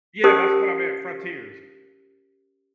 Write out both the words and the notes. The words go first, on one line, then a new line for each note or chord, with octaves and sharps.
Yeah, that's what I meant, frontiers.
C#4 G4 A#4 C5 A5 D#6